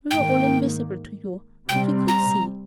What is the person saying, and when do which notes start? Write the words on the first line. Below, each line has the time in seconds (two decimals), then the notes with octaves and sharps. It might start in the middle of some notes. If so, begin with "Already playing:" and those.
We were all invisible to you; but we could see.
0.11 G#2 D#3 A#3 G5
1.69 C3 G3 C4 G5
2.08 A#5